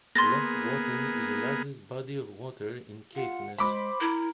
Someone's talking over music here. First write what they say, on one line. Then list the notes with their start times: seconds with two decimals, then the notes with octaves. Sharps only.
Loch Watten is the largest body of water in Caithness.
0.15 A#3 B3 G#4 C6 A6 A#6
3.15 F4 F#5
3.58 G#3 C5 B5 D6
4.01 E4 A#4